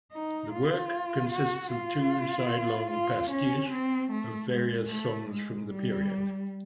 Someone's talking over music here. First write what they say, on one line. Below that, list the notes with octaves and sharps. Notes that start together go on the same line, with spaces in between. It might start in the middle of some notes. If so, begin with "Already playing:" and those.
The work consists of two side-long pastiches of various songs from the period.
D#4
F4
F#4
F4
F4
C#4
C4
A3
G#3
A3
G#3
G3